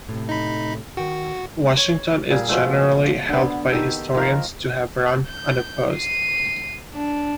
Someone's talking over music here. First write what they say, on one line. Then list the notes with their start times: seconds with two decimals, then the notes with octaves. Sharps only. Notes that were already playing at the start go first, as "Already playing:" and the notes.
Washington is generally held by historians to have run unopposed.
0.09 A2 C3
0.29 D#4 B5
0.97 D#3 F#4 G5
1.77 C#5
2.30 A#2 G3 G#4
2.49 B2 F3 G#3 A3
3.29 D3 B3
3.72 D#3 G4 A4
4.15 D#3 F3 A#4
5.28 G6
5.94 C7 D#7
6.94 D4